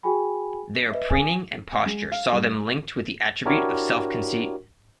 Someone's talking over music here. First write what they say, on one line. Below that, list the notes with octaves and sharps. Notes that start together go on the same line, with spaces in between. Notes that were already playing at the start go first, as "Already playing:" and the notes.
Their preening and posture saw them linked with the attribute of self-conceit.
F#4 G#4 G5 G#5 B5
B4 D#5 E5
G#5 D#6
G#3
F5
G2
D4 E4 F#4 G4 A#4 C#5